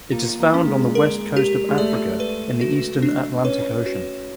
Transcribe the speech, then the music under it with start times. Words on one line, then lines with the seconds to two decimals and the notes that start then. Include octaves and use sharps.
It is found on the west coast of Africa in the eastern Atlantic Ocean.
0.12 A#3 F4
0.40 A#3
0.54 C#4
0.67 G#3
0.95 A#4
1.37 G4
1.69 G#3
1.78 A3 D5
2.20 B4
2.61 F#4
3.02 D4
3.44 C#4 B4
3.86 F#4